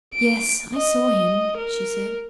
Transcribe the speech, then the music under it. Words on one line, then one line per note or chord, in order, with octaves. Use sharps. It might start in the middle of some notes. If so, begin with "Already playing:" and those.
"Yes, I saw him," she said.
D7
D#5
A#4